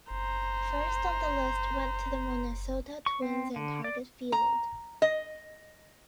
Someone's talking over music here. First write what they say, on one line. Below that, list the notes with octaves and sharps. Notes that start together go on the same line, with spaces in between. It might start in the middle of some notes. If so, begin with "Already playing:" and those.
First on the list went to the Minnesota Twins and Target Field.
F#1 C5 A#5
C#6
C4
D3
D5
A#5
D#5